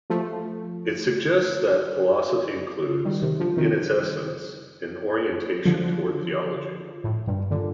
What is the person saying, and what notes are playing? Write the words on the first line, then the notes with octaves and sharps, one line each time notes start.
It suggests that philosophy includes, in its essence, an orientation toward theology.
F3 A3
D#3 G3
C3 D#3
D3 F3
C3 D#3
D3 F3
A2
G2 A#2
A#2 D3